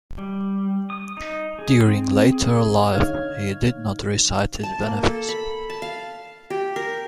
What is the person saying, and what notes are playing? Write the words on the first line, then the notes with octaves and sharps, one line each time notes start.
During later life he did not reside in his benefice.
G3
D#6
D#4
G#4
C4
G#4
D3 D#4 C#5 F5 F6 G#6
A5
A#3
A4
B5
A5
F5
G4
A#4